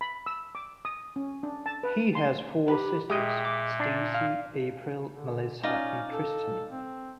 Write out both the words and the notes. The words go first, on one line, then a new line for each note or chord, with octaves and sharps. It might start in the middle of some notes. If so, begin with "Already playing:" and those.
He has four sisters: Stacy, April, Melissa and Kristen.
B5
E6
D6
D#6
C#4
D4
A5
B4
C6
G4 B4
A#2 G#3 G4 D#5 E5
D6
D4
F5
D3
C#4 D#4 F4 D5
A4
C4